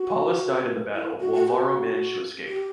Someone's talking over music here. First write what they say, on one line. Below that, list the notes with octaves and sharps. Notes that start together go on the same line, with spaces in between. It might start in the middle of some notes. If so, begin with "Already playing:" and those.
Paullus died in the battle, while Varro managed to escape.
Already playing: F#4
E4
F#4
F#4
G4
F#4
G4